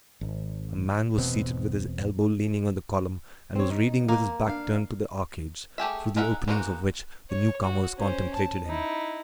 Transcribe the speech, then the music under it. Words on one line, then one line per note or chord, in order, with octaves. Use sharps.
A man was seated with his elbow leaning on the column, and was reading with his back turned to the arcades, through the openings of which the new-comers contemplated him.
G#1
E1 B2 B3 C4
C4 C#5
D#4
A#3
D4 F5
A3 G4 G#4 E5
G#3 D#4 A#4 E5 F#5
E3 G#3 A#3 D#4 F#4
C#5
F#4
C#4 C5
A5
D#4 E4